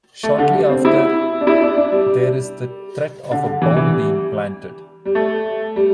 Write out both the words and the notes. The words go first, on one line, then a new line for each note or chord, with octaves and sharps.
Shortly after, there is the threat of a bomb being planted.
A3
D3
G3
C4
E4
D4
E4
D4
D4
G3
D3
D3
E3
E3
G3
G3
A3
G3